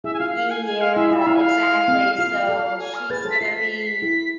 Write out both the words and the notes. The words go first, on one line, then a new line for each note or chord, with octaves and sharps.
Yeah, exactly, so she's gonna be
E4 G#4 E5
G#5
F4 F5
F5
G#5
G#5
F5
E4 E5
F4
E5
E4 F5
G#5
F5
C4
F4 F5
F4 A4
G#5
F6
G#4 B4 A6
A6
A4 C5
B6
F4 C7
B6
B6
C7
B6
E4